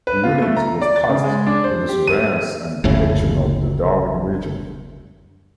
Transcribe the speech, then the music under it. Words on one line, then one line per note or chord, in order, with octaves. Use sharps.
The unit was tasked with the surveillance and protection of the Darwin region.
B4
F4
A3
A#5
D5
A6
C#3
G#3
D4
C5
G4
D#7
F#1 D2 A2 C#3